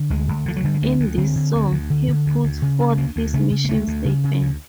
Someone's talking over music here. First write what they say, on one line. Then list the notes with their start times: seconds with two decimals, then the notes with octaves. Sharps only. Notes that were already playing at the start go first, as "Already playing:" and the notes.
In this song, he puts forth his mission statement.
Already playing: D3
0.10 D2 G#3
0.28 D2
0.46 D3 F3
0.56 F#3
0.64 D3 G3
0.74 G#3
0.82 D2 A3
1.00 D2
1.18 D3 C4
1.36 D3
1.55 D2
1.71 D2
1.90 D3
2.08 D3
2.26 D2
2.43 D2
2.62 C#3
2.79 C#3
2.90 A3
2.97 D2 A#3
3.16 D2
3.34 C#3 A3
3.51 C#3
3.65 A#3
3.69 D2 A3
3.88 D2
4.05 C#3
4.24 C#3
4.41 D2